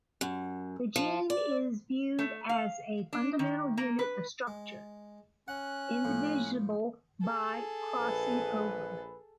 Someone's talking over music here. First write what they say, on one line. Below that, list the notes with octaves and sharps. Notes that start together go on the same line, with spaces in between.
The gene is viewed as a fundamental unit of structure, indivisible by crossing over.
F#2
F3
D5
A3
F5
D4
D#3
A#3
B4
G#3
C#4 F#5 F#6
A2 F3
G#4 A4
A#1 B4